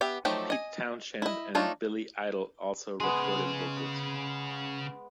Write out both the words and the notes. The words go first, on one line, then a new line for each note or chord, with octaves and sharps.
Pete Townshend and Billy Idol also recorded vocals.
B3 G4 E5
F3 F#3 A3 D#4 G4
D#5 G#5
E4 D#5
A3 D4 D#4 F4 C#5
C#3 G#3 B3 G#4